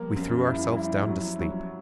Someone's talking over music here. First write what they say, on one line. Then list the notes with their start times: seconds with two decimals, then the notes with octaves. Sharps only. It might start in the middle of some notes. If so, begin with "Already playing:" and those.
We threw ourselves down to sleep.
Already playing: F3 G3 A#3
0.16 F#2
0.47 E4
0.77 E4
1.08 F#3
1.39 F#3